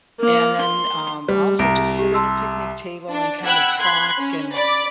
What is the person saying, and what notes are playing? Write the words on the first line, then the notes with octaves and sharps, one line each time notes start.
and then, um, also just sit at a picnic table and kind of talk and
A#3
C6
G3
C2 A#5 A#6 D7
G4
A5 C6 E6
D4
F#5 G5 B5 E6 F#6 G#6
B5 C6 F#6 G#6
C#4
D5 B5 D6